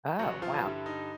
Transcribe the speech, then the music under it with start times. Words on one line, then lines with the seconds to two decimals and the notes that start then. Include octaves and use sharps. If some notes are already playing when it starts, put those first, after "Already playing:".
Oh, wow.
0.19 A1 F#3 F#4
0.42 F3 F4
0.64 G2 D3 G3 E4
0.86 D#4